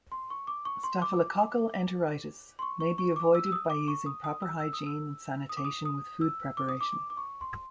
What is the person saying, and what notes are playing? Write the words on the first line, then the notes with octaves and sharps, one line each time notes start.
Staphylococcal enteritis may be avoided by using proper hygiene and sanitation with food preparation.
C6
C#6
D6
C#6
C6
D6
C6
C#6
C#6
C#6
D6
E6
E6
D#6
D6
C#6
D#6
D#6
E6
E6
D#6
E6
D#6
D6
D#6
D#6
E6
D6
D#6
D6
D6
D6
C#6
C6